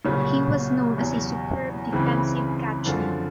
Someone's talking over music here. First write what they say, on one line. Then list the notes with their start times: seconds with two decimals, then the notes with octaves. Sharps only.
He was known as a superb defensive catcher.
0.05 C2 A#2 C#3 F#3 C#4
0.98 E2 B2 F#3
1.92 C#2 C#3 E3 C4
2.86 F#2 D3 F3